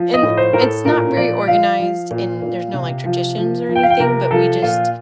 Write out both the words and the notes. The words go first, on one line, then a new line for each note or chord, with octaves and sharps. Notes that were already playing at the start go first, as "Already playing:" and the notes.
and it's not very organized and there's no like traditions or anything, but we just
Already playing: F3
D#5
A2
C5
A2 A#4
A4
A#2 A#4
F3 D5
F3 F5
F3
A#2
A#2
C3
F3
F3
F3
G5
F5
G5
C3 A#4
F3 A4
A#2 F4